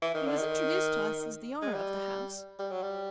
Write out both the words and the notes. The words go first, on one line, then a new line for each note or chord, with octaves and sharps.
He was introduced to us as the owner of the house--Mr.
E3
D#3
D3
D#3
G#3
G3
G3
F#3
G3